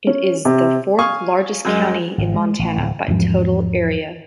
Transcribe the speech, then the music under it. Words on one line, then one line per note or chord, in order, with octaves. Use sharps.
It is the fourth-largest county in Montana by total area.
C#4
C3
F5 G#5 C#6 D#6
F#2 G#3
G#1
G#3
A1
D1
E2 G#2 F3